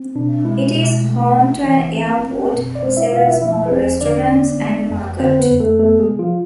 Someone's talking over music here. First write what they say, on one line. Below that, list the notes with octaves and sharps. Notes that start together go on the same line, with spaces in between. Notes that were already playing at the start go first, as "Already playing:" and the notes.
It is home to an airport, several small restaurants, and a market.
Already playing: C4
B2 D4
G#3 E4
B2
A3
C3
E3
C4
C4
B2
D5
G#3 C4 C5
E4 E5
B2 F4 F5
E4 E5
F3 E4 E5
B4
E2 C4 C5
D3 D4 D5
B3
G#3
F2
D3 C4 C5
B3 B4
F2
A3 A4
A3 B3 A4
G#3 G#4
C3
F3 F4